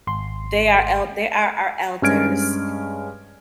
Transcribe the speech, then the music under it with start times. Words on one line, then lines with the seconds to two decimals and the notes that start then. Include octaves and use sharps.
they are el they are our elders,
0.07 G#1 C6
2.02 G2 G#3 C#4 F6 G#6 D7